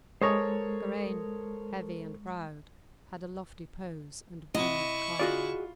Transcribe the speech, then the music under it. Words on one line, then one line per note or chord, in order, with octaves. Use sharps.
Karain, heavy and proud, had a lofty pose and breathed calmly.
G#3 A4 A#4 C5 C#5 D#6
C3 E4 D#5 F#5 C#6
F4 F#4 G#4 D5